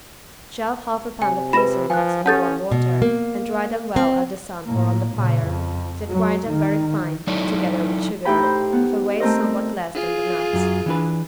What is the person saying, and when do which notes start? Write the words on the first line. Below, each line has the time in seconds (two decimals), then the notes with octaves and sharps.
Shell half a pound of hazelnuts in warm water and dry them well at the sun or on the fire, then grind them very fine, together with sugar, of a weight somewhat less than the nuts.
1.22 C3 G#5
1.53 F4 B4 B5 A#6 E7
1.90 F3 G#5 F#6
2.26 C#4 G4 A4 F#5 A5 G6 A6
2.72 B2
3.02 A#3
3.96 C4
4.65 A2 A#3
5.13 A#2 C#3
5.46 F2
6.09 F#3
6.48 D#3
7.27 F#3 D#4 E4 A4 C#5 D5
8.25 A2 D#4 G4 G5 B5
8.43 C5
8.73 B3
9.20 A3 C4 A#4 C5 D#5
9.94 F4 G#4
10.53 F#2 F#3
10.86 E3 D4 B4